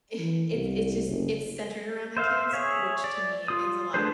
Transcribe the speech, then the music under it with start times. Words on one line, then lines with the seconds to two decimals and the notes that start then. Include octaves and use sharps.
i it's it's just it's centered around the kids, which to me is a lot
0.19 E3
0.51 C2
1.07 F#1
2.17 C5 E5 F5
2.53 G#4 C#5 E5
3.04 D5
3.48 F4 D#6
3.94 A3 D4 G#4 B4 C5